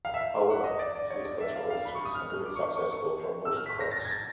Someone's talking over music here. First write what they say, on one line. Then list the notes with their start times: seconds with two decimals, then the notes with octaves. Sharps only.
However, disease control is reasonably successful for most crops.
0.05 F5
0.14 E5
0.50 F#5
0.64 D#5
0.79 D5
0.95 D5
1.10 C#5
1.24 D5
1.41 E5
1.55 F5
1.70 F5
1.85 B5
1.95 C#6
2.05 D#6
2.15 F6
2.30 F6
2.45 D6
2.56 C#6
2.76 C#6
2.91 C#6
3.45 E6
3.56 F6
3.66 B6
3.80 A#6
3.91 A6
3.96 A#6
4.05 G#6
4.11 A6